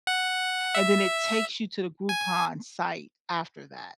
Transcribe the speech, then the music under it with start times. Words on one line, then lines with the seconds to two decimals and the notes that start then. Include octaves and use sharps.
and then it takes you to the Groupon site after that.
0.07 F#5
0.75 E5
2.09 G#5